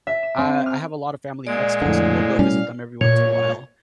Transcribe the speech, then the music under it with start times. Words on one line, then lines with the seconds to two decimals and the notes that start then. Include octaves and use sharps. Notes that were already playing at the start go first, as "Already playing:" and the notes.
I I have a lot of family in Mexico, so we'll go visit them every once in a while,
0.07 E5
0.23 E7
0.38 C4
0.54 D#7
0.66 F6
1.47 A#2 G#3 D5
1.82 F2 A2 D3
2.39 B2 G3 C#4 F5
3.01 A#2 C#5